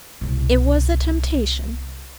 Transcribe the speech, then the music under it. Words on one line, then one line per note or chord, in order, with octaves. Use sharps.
It was a temptation.
C2 B2